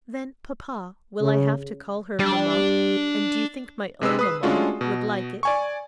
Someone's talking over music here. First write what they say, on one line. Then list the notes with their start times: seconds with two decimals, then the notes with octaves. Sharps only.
"Then, papa, will I have to call her mamma? and do you think my own mamma would like it?"
1.22 C#3
2.19 G3 D4
4.01 C3 G#3 B4 E6
4.19 B4 D#6 C7
4.43 G#3 A3 C#4 D4 F4 F#4
4.81 B2
5.43 D5 G#5 C#6